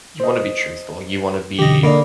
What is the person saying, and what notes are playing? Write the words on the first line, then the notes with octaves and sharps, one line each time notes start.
you want to be truthful. You wanna be
C5 D#5
B2 D3 E3 G4 D#5
D3 A#3 D#4 D5 B5